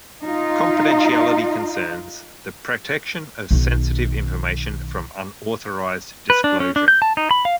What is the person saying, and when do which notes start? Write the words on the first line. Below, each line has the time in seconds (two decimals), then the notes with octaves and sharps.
Confidentiality concerns the protection of sensitive information from unauthorised disclosure.
0.24 D#4 F4
3.51 B1 D#3
6.30 B4
6.44 D4
6.60 C#4
6.76 D4
6.88 G6
7.02 A5
7.17 D#4
7.31 B5
7.45 F5